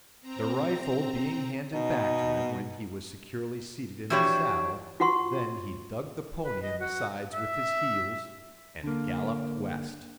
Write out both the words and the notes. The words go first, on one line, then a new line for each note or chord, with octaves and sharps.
The rifle being handed back to him when he was securely seated in the saddle, then he dug the pony in the sides with his heels, and galloped west.
C4 A#5
B2 D#4
E3 F3 D4 F#4 G4 C#5
F4 F#4 F#5 C6 C#6
B4
D#5
F#4
E5
D3 A#3